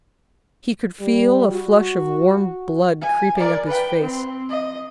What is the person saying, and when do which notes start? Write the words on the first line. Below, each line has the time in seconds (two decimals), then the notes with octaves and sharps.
He could feel a flush of warm blood creeping up his face.
1.00 G3
1.50 F#4
3.02 G#5
3.37 A#4 D5
3.66 B4 G5
4.00 C4
4.49 D#5